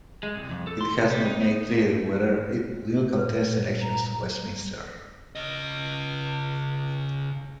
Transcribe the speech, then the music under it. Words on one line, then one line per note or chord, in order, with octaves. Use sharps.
It has not made clear whether it will contest elections to Westminster.
G#3
C2
F2
A4
C6
C3
G3
D#4
B3
A#2 B4
A#5
C#3 D#5